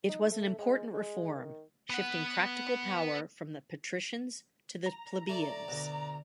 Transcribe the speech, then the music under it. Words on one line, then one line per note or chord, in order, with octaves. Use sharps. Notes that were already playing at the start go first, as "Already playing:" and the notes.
It was an important reform shifting practical power from the patricians to the plebeians.
D#4
A3
G#3
G#3
D#3
B3 F#5
A#5
A3 D5
D2 B2